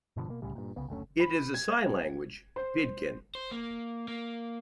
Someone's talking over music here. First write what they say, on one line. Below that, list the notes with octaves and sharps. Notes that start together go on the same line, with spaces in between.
It is a sign-language pidgin.
G2 B2 D3 F3
B2 A#3
C2 A2 C#3 G3
G2 A#2
C2 C#3 B3
F#1 D2 A3 C#4
B5
G#6
C5
C5
A#3
A#3